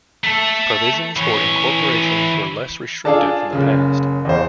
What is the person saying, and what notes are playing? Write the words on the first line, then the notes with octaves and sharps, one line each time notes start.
Provisions for incorporation were less restrictive in the past.
A3 A4
E3 C#5
D4 F4 G#4 A4 D5 A5
F#1 C#3
E2 C5